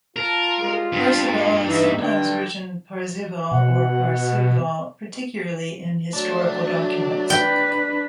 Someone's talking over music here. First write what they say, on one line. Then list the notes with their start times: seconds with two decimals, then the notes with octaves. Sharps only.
Parseval is sometimes written Parzeval or Parceval, particularly in historical documents.
0.16 F4 A#4 A5
0.59 G3 G#3 G#4
0.93 G2 A5 B5
1.30 A#3
1.66 E3 D#4 E5
1.97 G2 D3 G5
3.52 B2 F#5
6.13 F#3 A3 D4
7.30 B4 G5